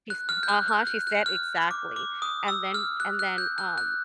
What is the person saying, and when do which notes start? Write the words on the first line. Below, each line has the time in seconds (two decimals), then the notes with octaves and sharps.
she st Uh-huh, she said Exactly, and then and then, um,
0.10 F#6
0.29 F6
0.43 G6
0.49 F#6
0.68 F#6
0.87 F#6
1.07 F#6
1.26 F6
1.71 D6
1.96 D6
2.22 D#6
2.48 E6
2.74 F6
3.00 F#6
3.19 F#6
3.38 G6
3.58 F#6
3.78 F#6